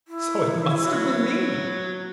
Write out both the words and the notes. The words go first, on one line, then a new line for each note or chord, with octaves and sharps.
So it must have been me!
E4
F#3